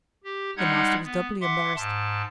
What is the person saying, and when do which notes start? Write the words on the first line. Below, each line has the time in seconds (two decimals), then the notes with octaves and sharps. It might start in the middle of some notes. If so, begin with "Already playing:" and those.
The master was doubly embarrassed.
0.24 G4
0.57 G3 G#3 D#4 F#5 F#6 G#6
1.04 B3
1.41 E5 F#5 C6 D6
1.76 G#2 A5